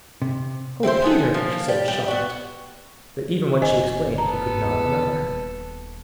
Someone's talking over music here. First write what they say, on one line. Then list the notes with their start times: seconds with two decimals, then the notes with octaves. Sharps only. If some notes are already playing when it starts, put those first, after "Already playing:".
"O Peter," she said, shocked; but even when she explained he could not remember.
0.22 C3
0.83 C4 E4 A4 C5
1.02 B3 G#4 A4
1.34 F3 A#3
1.68 G3
1.88 G3
2.08 B3 F#4
3.62 F#1 C5 D#5 G#5
4.18 B3 A4 A#5
4.63 E2
5.14 D#1